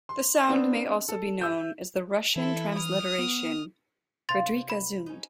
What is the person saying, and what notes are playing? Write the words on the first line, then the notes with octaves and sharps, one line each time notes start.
The sound may also be known as the Russian transliteration Fridrikhe Zund.
C6
B3 C4 D4
A4
E5 E6 G6
E3 E4 A4
D#6 F6
B3
C3 D4 F5 C6 A6
C3
B5
C#4 D#4